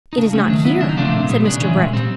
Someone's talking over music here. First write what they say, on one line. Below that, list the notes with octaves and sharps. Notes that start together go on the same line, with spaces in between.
"It is not here!" said Mr. Brett.
D#4
C#3 D4
F#3 A3 C#4
D#3 D4
F#3 B3 E4
C#3 D4
D#4
F3 A3 C4 D4
A#2
G3 B3
C#3 D4
E3 G#3 C#4
A#2
G3 C4